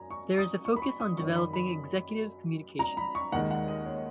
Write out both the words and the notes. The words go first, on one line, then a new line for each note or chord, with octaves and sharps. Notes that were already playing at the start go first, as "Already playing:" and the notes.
There is a focus on developing executive communication.
Already playing: F#2 G#5 A#5
C#6
D#6
C#6
B5
C#6
D#6
F#2 D#3 F#3 C#6
B5
B5
A#5
B5
C#6
D#2 D#3 G#3 F#5
F#5
D#5
C#5